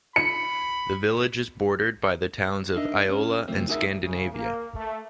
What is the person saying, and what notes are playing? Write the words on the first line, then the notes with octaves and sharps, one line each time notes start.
The village is bordered by the towns of Iola and Scandinavia.
B5 C#7
D4 D#4 A#4 D#5 E5
C#4
C#2 F3 A3 A#3 C4
D#4 F#4 G#4 A#4 D5 E5
C#3
A#3
A3